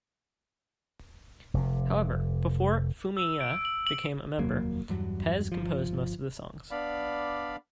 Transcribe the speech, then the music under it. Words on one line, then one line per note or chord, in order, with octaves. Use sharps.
However, before Fumiya became a member, Pes composed most of the songs.
F1 C3
E6
D7
F#7
F#7
F1 D#2 F#3 A#3
E2 G2 F#3
G1 F3
B3 D4 D5 F5 B5